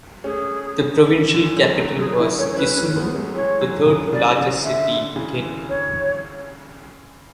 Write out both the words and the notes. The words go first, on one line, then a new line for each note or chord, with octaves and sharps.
The provincial capital was Kisumu, the third-largest city in Kenya.
A3 C#4 G#4
D3
E3
F#3
G#3
F#3 A3
D3 F#3 G#4
C#3 E3 E4
A3 C#4 C#5
C#5
C#4 E4 B4
A3 C#4
G#3 B3
F#3 A3
E3 G#3 C#5
D3 F#3
C#3 E3
C#3 D5
C#3 D5
D3 E5
D3
C#3 E3
D3
C#5